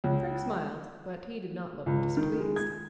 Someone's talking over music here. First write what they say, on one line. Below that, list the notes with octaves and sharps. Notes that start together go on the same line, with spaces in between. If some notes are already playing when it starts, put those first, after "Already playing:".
Frank smiled, but he did not look displeased.
C#2
C#2
D#3
G#3
G#6